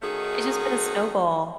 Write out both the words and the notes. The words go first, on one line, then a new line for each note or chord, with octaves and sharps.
it's just been a snowball.
D#3 A3 C#4 D#4 F#4 G#4